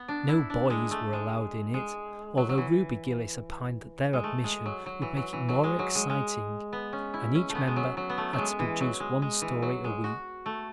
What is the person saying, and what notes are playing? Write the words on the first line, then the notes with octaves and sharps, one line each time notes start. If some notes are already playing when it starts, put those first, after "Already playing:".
No boys were allowed in it--although Ruby Gillis opined that their admission would make it more exciting--and each member had to produce one story a week.
Already playing: B3
D4
E4
D4
G#3
A3
G#3
G#3
F#3
F#3
E3
G#3
A3
G#3
F#3
F#3
E3
F#3
E3
F#3
G#3
F#3
G#3
G#3
B3
C#4
E4
C#4
A3
B3
G#3
F#3
F#3
B3
A3
F#3
G#3
E3
F#3
G#3
G#3
E3
F#3
G#3
F#4
A3